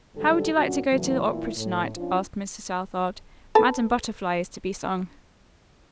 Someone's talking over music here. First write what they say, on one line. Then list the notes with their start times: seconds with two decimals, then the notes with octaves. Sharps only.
"How would you like to go to the opera to-night?" asked Mr. Southard. "'Madame Butterfly' is to be sung."
0.15 G#2 D3 F#3 G3 G4 A4
0.55 F#2 A#2 C#4 D4 F#4
0.90 E2 A2 C#3 E3 F#3
1.25 F#2 A#2 E3 E4
1.56 A2
1.97 F3 C#4 D4 F4
3.55 A4 B4 A5